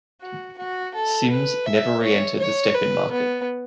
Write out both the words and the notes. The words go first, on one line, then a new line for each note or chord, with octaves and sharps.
Sims never re-entered the step-in market.
F#4
F#4
A4
B4
E5
C#5
C#5
B4
B3